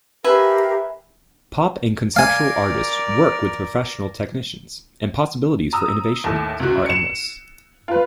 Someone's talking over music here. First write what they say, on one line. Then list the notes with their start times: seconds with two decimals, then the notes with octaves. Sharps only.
Pop and conceptual artists work with professional technicians, and possibilities for innovation are endless.
0.24 G4 A#4 B4 E5 F5 G#5
2.16 A#4 D5 F5 G#5
5.73 A#5 D#6 E6
6.24 D#2 A2
6.60 C#2 F#4
6.86 C#7 E7
7.88 F4 B4